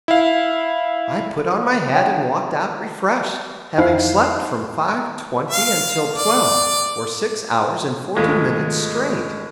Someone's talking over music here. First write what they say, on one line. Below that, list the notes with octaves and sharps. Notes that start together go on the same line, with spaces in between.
I put on my hat and walked out refreshed, having slept from five-twenty until twelve, or six hours and forty minutes straight.
E4 F5
D4 C#5 F#5 G5
F2 D#4 E4 C5 F5 C7
F5
D5
G#1 G#3 A3 F4